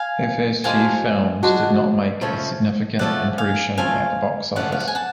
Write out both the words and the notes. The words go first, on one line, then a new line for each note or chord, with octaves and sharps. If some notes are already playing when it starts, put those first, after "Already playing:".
Her first few films did not make a significant impression at the box office.
Already playing: F5 G#5
F3 G#3 D4 F#4 F5 G#5
F3 G#3 D4 F#4
C#3 F3 A3 C#4
C#3 F3 A3 C#4 D5 F#5
F5 G#5
C#3 F3 A3 C#4 F5 G#5
C#3 F3 A3 C#4 D5 F#5
F5
F#5
G#5
F#5 A5